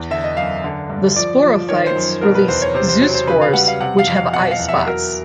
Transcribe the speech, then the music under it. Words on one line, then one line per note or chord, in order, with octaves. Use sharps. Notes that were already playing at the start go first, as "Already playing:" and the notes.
The sporophytes release zoospores which have eyespots.
Already playing: E2
D3 E5
D#5
F#2 F5
D3
G2
F3 D5
F3
D#3 C#5
C5
F#2
B2 A#4
B4
E2 C5
C#5
C3 C5
C5
F#3 C#5
C5
C#3 B4
F5
G3 F#5
F5
C3 F#5
F5
F2
F5
B2 F#5
F5
E2
E5
F#3 A#4